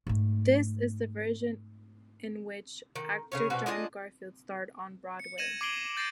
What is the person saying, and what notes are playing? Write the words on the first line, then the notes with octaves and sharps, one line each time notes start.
This is the version in which actor John Garfield starred on Broadway.
G#2 A3
D#3
C#3 C#4 C#5
B2 G3 C4 F#4
D4 F4 G#4 D#5
C#7
G#6 A#6 D#7 E7 F#7
D6 G#6 C7 D7 F#7 G7
G6 A6 A#6 C7 D7